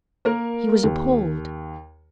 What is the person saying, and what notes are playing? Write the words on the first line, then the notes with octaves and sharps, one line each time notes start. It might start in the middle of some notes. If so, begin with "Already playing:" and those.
He was appalled.
A#3 A#4
D#2